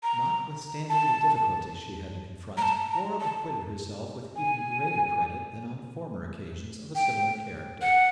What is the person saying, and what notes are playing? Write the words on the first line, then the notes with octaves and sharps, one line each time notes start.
Notwithstanding the difficulties she had to confront, Laura acquitted herself with even greater credit than on former occasions of a similar character.
A#5
A5
A#5
A5
A#5
A5
G#5
G5
F#5